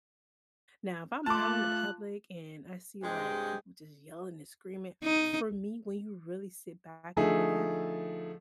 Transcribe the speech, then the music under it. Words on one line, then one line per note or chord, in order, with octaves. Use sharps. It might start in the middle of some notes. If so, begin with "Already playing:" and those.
Now, if I'm out in the public, and I see, like, people just yelling and screaming, for me, when you really sit back and look at it,
A3 F4 A5 D6 F#6
G2 C3 G#3 G5
D#4
D3 F3 A3 D#4 G#4